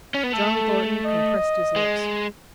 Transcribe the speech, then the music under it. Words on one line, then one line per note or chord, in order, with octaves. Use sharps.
John Thornton compressed his lips.
C#4
B3
A3 A4
D#5
G#3